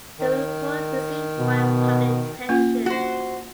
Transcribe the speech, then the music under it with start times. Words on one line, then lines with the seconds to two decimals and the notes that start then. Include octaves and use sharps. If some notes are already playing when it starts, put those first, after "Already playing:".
The Report received wide public attention.
0.19 D#3
1.38 B2
2.49 A#3 C#4 F4
2.86 F#4 C5